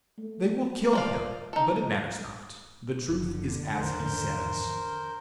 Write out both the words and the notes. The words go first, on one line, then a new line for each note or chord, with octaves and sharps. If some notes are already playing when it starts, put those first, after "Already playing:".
They will kill him, but it matters not: the truth is as he says!
A3
F3 D5 F5
D#4 A4
F#1 D3
G#1 E2 F3 A#4 C5